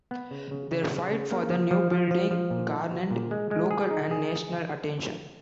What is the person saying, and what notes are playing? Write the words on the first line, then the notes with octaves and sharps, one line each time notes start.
Their fight for the new building garnered local and national attention.
B3
C#3
C#3
C#3
C#3
C#3
A#3
F3
F3
F3
F3
F3
A#2
D#4
F#4
A#2
G#3
G#3
G#4
D#4
G#4